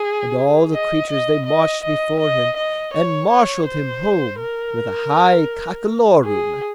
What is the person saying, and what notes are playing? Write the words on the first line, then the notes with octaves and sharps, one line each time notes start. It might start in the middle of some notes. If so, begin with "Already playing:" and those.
And all the creatures they marched before him, And marshalled him home with a high cockolorum.
Already playing: G#4
D#5
D#5
D#5
D#5
D#5
D#5
C#5
C#5
C5
A#4
G#4